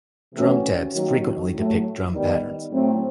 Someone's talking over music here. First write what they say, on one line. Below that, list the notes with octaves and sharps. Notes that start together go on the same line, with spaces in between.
Drum tabs frequenctly depict drum patterns.
C3 E3 A3 C#4 F#4
D#3 F#3 A#3 D#4 F#4
A2 F#3 A3
D#3 G3 B3 D#4
A2 F#3 A3 C4